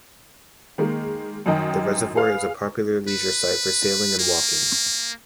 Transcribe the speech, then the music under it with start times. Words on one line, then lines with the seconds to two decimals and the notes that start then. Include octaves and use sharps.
The reservoir is a popular leisure site for sailing and walking.
0.78 D#3 G#3 A#3
1.46 F#2 D#3 D#5 G5
2.15 G#4 B4 F5 F6
3.08 B4
4.19 A#3